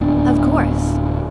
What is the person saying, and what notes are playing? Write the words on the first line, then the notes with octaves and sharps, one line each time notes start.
'Of course!
D1 B3 D4